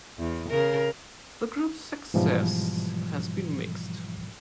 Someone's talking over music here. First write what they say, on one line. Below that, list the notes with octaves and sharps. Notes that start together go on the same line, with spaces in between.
The group's success has been mixed.
E2
C#3 A#4
G#2 B2 E3 F3 G3